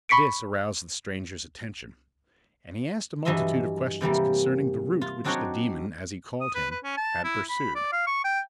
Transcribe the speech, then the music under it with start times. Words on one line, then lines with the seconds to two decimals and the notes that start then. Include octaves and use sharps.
This aroused the stranger's attention, and he asked a multitude of questions concerning the route which the demon, as he called him, had pursued.
0.09 B5 C#6 B6 C#7 D7
3.25 G2 E3 F#3 D#5 E5 C6
4.01 C3 E3 G3 A#3
5.01 F4
5.24 F#3 C4 D4 D#4 F#4 C#5
6.41 D#6
6.55 B4
6.71 B4
6.84 C#4
6.97 A5
7.24 E4
7.49 B5
7.75 D5
7.92 F5
8.07 C#6
8.24 G5